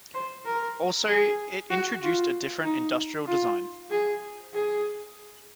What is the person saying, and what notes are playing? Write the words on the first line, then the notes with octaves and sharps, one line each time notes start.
Also it introduced a different industrial design.
C5
A#4
G#4
F#4
F4
D#4
F4
G#4
G#4